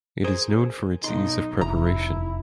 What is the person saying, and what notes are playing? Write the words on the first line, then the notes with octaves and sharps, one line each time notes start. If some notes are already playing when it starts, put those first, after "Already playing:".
It is known for its ease of preparation.
G#4 A#4 C5
B1 D#4 C6
F1 E4 A#5